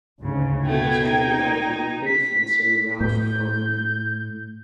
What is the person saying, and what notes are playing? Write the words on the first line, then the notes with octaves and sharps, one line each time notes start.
He was trained by Olympic fencer Ralph Faulkner.
D2 G#2 C#3
B2 A3 B3 G5 G#6
D#4
B6
A2 G6